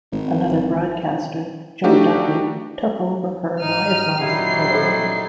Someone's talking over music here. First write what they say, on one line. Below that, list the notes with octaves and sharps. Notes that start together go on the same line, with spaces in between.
Another broadcaster, Joe Duffy, took over her Liveline programme.
G#1
A3 D4 D#4 F#4 G4
G#2 D#4 F6 D#7
F#2 A#2 F#3 G3 D#4 E4 G4 C7
A4 C5